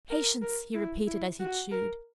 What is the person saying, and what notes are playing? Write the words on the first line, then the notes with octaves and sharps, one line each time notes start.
"Patience!" he repeated as he chewed.
A#4
A#4
E4
E4
F#4
A#4